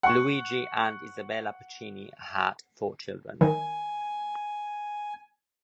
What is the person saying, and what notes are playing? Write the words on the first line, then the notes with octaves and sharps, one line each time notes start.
Luigi and Isabella Pacini had four children.
F#5 C#6
D#3 G#5